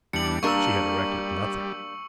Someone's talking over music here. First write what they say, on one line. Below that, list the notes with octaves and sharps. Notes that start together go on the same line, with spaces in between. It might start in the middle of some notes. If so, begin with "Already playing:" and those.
She had erected nothing.
E2 G3 D4 C#7 F#7
G3 A#3 D4 A#4 C#6 E6